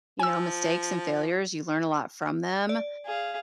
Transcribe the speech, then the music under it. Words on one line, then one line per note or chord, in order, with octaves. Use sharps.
you know, mistakes and failures, you learn a lot from them.
F3 G#5 E6
D5
G#4 F5